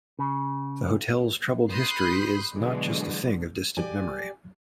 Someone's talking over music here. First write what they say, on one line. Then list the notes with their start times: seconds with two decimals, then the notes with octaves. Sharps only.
The Hotel's troubled history is not just a thing of distant memory.
0.19 C#3
1.72 B5 C6 D#6 F#6 G6 C7
2.54 B2 D3 E3 F#3 G#3
3.77 G4 D5 G#5